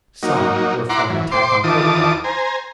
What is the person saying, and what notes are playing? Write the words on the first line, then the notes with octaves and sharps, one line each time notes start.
Some were for an attack on Kirkwall.
F#3 A#3 D#4
E4 F#5 A#5 C6 D6
F#2 E3
C5 C6 D6
D#3 E3 F4 A5 D6 D#6
C5 G#5 A#5